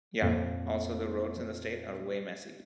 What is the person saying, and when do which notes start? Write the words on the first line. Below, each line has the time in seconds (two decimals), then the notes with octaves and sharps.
Ya. Also the roads in the state are way messy.
0.22 F2 A#2